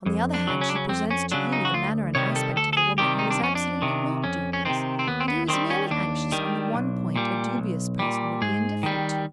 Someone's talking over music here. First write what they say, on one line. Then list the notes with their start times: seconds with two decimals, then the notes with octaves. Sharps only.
On the other hand, she presents to you the manner and aspect of a woman who is absolutely not dubious, and who is merely anxious on the one point a dubious person would be indifferent to.
0.06 F2
0.34 D4
0.47 C#3 F#3
0.61 C#4
0.69 D4
0.76 C#4
0.89 F2 C4
1.11 C#4
1.32 C#3 F#3 D4
1.53 D#4
1.65 F#4
1.74 D2 F4
2.15 C3 D#3 G3 C#5
2.36 A4
2.56 D2 A4
2.73 A4
2.77 G#4
2.98 C3 D#3 G3 G4
3.19 D#4
3.31 D4
3.40 F2 C#4
3.55 D4
3.82 C3 D#3
4.24 F2 C#4
4.53 C#4
4.65 C3 D#3 C4
4.99 C4
5.07 D#2 B3
5.20 C4
5.28 B3
5.48 D#3 G3 C4
5.70 C#4
5.91 D#2 D4
6.32 D#3 G3
6.74 B1
7.16 A#2 G3
7.58 B1
7.99 A#2 G3
8.42 G#2 G#4
8.83 D#3 G3